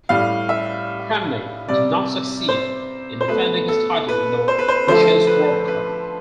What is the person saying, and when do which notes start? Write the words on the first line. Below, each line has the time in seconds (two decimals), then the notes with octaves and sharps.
Kramnik did not succeed in defending his title in the Chess World Cup.
0.09 A2 G3 F5
0.49 E5
1.69 C3 G3 D5
2.49 C5
3.21 C5
3.28 B2 A3 B4
3.68 A4
4.09 B4
4.48 C5
4.59 B4
4.68 C5
4.87 D3 F3 A3 C5
5.27 B4
5.68 B4